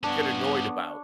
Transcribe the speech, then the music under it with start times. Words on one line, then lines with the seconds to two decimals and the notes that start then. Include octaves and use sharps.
get annoyed about,
0.04 G2 B3 C#4 D4 C#5